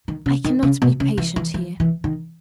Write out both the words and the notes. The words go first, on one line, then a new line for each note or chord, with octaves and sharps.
I cannot be patient here.
D#3
C#3
D#3
C#3
B2
C#3
E3
E3
E3
E3
D#3